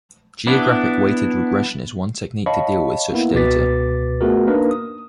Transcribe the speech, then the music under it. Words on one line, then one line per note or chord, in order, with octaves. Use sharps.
Geographic weighted regression is one technique to deal with such data.
B3 D4 E4
C#5 D#5 F5 A5 B5 C#6
A#3 B3 E4
C#2 B2 B4 D6 A6 B6
A3 B3 F4 F#4 G#4 A#4
A#3 D4 D#4 A#4 B4
D#6